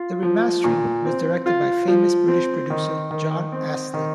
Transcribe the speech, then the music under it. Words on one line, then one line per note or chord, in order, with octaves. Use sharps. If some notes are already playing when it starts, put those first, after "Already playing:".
The remastering was directed by famous British producer Jon Astley.
Already playing: F4
F3
A#2
C4
F4
F3
C4
D#3
D#3
C4
D#3